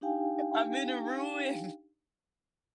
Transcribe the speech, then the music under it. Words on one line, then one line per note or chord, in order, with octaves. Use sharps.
I'm in a ruin.
D4 D#4 G4 F5 G5 G#5